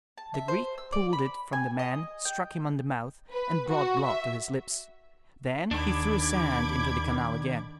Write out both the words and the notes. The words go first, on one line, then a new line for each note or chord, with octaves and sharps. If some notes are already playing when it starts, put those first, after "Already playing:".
The Greek pulled it from the man, struck him on the mouth, and brought blood to his lips; then he threw sand into the canal again.
A5
E5
C5
E6
D5
B5
G#5
D#5
G5
B4
F#4
E5
D#2 D#3 D4 B5 D6 G#6